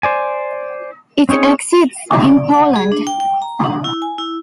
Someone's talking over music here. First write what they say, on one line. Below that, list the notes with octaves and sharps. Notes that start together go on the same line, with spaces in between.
It exists in Poland.
C5 D5 G#5
C4 C#4 D#4 G#4 C#5
D5
F#5
G#4
D4
G5
G5
A#5
D4
E4
G#5
E4